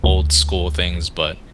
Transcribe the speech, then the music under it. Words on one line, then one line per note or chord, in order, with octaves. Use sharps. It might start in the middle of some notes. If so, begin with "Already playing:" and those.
old school things, but,
D2